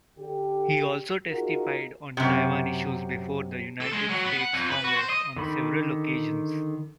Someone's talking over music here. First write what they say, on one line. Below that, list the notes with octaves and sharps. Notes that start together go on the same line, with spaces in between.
He also testified on Taiwan issues before the United States Congress on several occasions.
D3 G4
D#4 F4 F#4 G#4 A#4
F#2 C3
A4
G#3
F#3
B3
F#5
F2
B4
F#4
C5
D#5
D3 D#3 B5